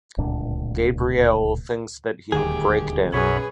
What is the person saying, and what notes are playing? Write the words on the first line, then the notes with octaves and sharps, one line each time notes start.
Gabrielle thinks that he would break down.
D1 C#2 A#2 D4
D#1 D2 D#3 G4 G#4
B1 F#2 B2 G#4 B4 C#5 B5